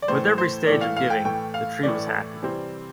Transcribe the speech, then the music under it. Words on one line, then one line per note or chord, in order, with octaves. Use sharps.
With every stage of giving, "the Tree was happy".
D5
A2 E3 A3 C5
C5
A2 E3 A3 D5
F5
F5
G5
A2 E3 A3 G5
F5
A2 E3 A3 D5
C3 E3 G3 C4